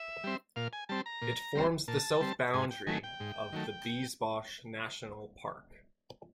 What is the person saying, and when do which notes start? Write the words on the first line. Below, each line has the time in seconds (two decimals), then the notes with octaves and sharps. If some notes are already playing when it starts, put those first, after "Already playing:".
It forms the south boundary of the Biesbosch National Park.
Already playing: E5
0.24 G3 C4
0.56 A#2 F5
0.73 G#5
0.89 G3 C4 A5
1.06 A#5
1.22 A#2
1.55 G3 C4
1.88 A#2 A5
2.21 G3 C4
2.54 G#2 G#5
2.71 G5
2.87 D#3 F#3 A3 G#5
3.03 G5
3.20 G#2
3.52 D#3 F#3 A3